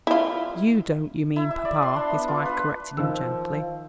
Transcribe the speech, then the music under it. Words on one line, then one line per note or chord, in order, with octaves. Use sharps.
"You don't, you mean, papa," his wife corrected him gently.
E4 F4
E4
E5
D5
C6
D4
B3
F4
B4
D#3 F3 E6